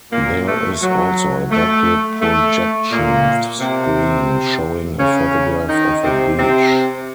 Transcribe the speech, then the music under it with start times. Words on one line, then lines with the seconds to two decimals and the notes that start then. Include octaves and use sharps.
There is also a back-lit projection screen showing a photograph of a beach.
0.11 A#2 A#3
0.47 A3
0.81 F#3
1.50 A3
2.21 A3
2.90 A#2 A#3
3.59 C3 C4
4.98 C#3 C#4
5.68 D#3 D#4
6.03 C3 C4
6.38 C3 C4